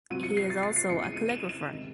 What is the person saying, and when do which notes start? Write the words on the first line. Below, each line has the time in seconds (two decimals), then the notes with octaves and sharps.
He is also a calligrapher.
0.10 C3 F#3 C4 D#7
0.23 C#7
0.37 C7
0.50 A6
0.63 C7
0.76 C7
0.90 E2 C#3 E3 G#3 C#7
1.03 D#7
1.16 D#7
1.29 E7
1.49 E7
1.69 C3 D#3 G#3 D#4